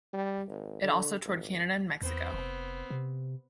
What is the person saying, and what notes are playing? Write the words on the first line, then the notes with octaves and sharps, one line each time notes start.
It also toured Canada and Mexico.
G3
G#1
D3
G#1
E2 B3 C4
F1
C3